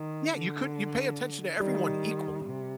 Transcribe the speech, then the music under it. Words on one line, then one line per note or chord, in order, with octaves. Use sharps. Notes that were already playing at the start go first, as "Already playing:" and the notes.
Yeah, you couldn't you pay attention to everyone equally.
Already playing: D#3
D3
D#3 G3
C3